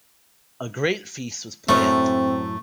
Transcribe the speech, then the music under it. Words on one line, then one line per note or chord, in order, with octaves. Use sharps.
A great feast was planned.
F#2 A2 A3 C4